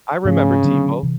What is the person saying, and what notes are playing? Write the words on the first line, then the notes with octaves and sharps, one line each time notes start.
I remember TiVo.
G#2 C#3 F3 A3 D4
D3 F#3 B3 D4
C3 E3